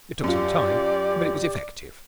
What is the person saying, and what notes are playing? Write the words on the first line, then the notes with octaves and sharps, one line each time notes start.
It took some time, but it was effective.
F#2 F4 G4 D5